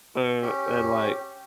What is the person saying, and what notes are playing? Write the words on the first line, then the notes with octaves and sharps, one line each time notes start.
uh, and, like
C#4 G4